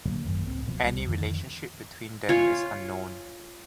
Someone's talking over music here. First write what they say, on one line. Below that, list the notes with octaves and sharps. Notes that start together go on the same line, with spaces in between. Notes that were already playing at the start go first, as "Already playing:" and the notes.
Any relationship between them is unknown.
A#2 D3 F#3 A#3
A1 F#2 D#3
C#2 A2 C4
D1 B2 F3
D1 C2 G3
F2 D3 D#3 F3
F4 C#5 G#5